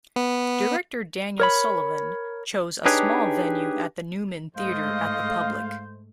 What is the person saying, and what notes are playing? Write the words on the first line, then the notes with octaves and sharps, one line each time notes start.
Director Daniel Sullivan chose a small venue at the Newman Theater at the Public.
B3
A#4 C#5 B5
D4 D#4 G4 G#4 B4 C#5
G#2 A3 C5 D#5 F5